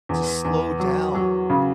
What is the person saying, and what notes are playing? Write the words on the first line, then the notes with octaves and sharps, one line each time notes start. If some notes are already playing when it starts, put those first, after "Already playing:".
to slow down
E2
E2
F#3
F#3
C#3